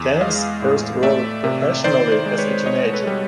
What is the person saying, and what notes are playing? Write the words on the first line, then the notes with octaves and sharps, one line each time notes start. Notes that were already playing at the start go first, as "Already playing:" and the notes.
Tan's first wrote professionally as a teenager.
Already playing: E2
G#3 D#5 F5
A2
A3 D5 E5
C3
D#3 C5 D5
C5 D5
G#3
B4 C#5
B2 C#5 D#5
A4 B4
G3